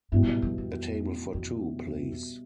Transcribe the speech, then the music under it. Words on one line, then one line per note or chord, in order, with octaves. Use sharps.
A table for two, please.
G2 B2 G3 B3 E4
G2
A2
F2
F2
F2